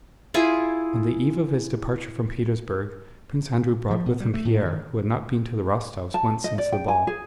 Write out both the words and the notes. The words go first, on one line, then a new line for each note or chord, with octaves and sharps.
On the eve of his departure from Petersburg Prince Andrew brought with him Pierre, who had not been to the Rostovs' once since the ball.
E4 F4 G#4
F3
B2
G3
A3
A2
D#3
A5
D#5
D5
G5
G#5
G#4